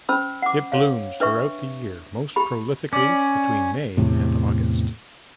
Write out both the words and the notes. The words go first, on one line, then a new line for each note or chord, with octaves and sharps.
It blooms throughout the year most prolifically between May and August.
C#4 C5 B5 E6
F#5 D6
C#5 F5
D4 B4 E5 C#6
G4 B5
C#4 D5
E2 A2 C3